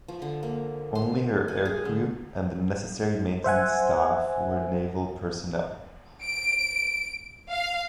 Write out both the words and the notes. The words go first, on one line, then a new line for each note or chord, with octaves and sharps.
Only her aircrew and the necessary maintenance staff were naval personnel.
F3
D3
A#3
C6
G#5
G#4
D3
C5 E5 F#5 G#5
D7
F5